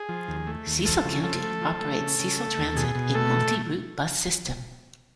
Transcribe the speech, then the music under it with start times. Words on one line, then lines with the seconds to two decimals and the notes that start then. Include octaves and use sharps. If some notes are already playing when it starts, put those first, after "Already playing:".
Cecil County operates Cecil Transit, a multi-route bus system.
Already playing: G#4
0.09 F3
0.28 D#2
0.47 A3
0.67 D#2
0.85 F3 A4
1.05 C#3
1.23 F3 A4
1.43 A3
1.61 F3
1.81 A3
2.00 C#3
2.19 C#3
2.39 A3
2.57 D#2
2.77 B2 G#4
2.95 B2
3.15 A3 A4